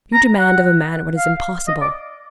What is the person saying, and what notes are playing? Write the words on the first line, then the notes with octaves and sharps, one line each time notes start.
You demand of a man what is impossible.
A#5
F#5
F5
D#5
D5